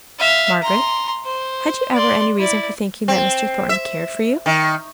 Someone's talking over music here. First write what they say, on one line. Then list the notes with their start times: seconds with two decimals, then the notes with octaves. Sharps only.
'Margaret! had you ever any reason for thinking that Mr. Thornton cared for you?'
0.19 E5 F5
0.62 A#5 C6
1.25 C5
1.93 D5 C6
2.38 E4 D5
3.08 C4
3.69 E5
4.46 D#3